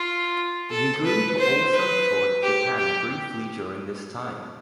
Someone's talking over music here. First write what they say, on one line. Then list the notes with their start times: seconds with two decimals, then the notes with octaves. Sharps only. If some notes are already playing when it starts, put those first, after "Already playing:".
The group also toured Japan briefly during this time.
Already playing: F4
0.70 A4
1.04 B4
1.38 C5
1.73 B4
2.42 G4
2.77 G4